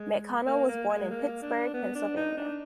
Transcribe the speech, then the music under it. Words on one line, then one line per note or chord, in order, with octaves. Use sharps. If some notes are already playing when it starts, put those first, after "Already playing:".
McConnell was born in Pittsburgh, Pennsylvania.
Already playing: G#3
A#3
A#3
G#3
A#3
D4
B3
D4
D#4
D4